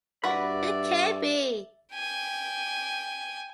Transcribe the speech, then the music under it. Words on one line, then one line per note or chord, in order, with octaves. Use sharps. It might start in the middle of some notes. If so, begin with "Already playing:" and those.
It can't be.
G2 F#4 B4 D5 E5 B5
G5 G#5